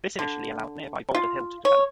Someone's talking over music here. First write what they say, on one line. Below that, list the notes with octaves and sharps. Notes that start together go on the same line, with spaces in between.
This initially allowed nearby Boulder Hill to develop.
D3
F4
C#5